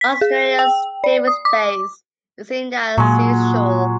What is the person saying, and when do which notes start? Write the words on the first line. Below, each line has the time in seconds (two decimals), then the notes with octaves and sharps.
Australia’s Davis Base is in that sea’s shore.
0.01 B6
0.21 G#4
0.59 G5
1.04 D5
1.27 D#6
1.45 D6
2.98 A#2 F#3 G#3